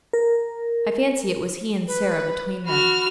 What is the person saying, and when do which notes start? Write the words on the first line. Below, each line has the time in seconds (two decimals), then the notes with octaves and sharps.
I fancy it was he and Sarah between them.
0.13 A#4
1.87 B4
2.66 F#4 B5 F6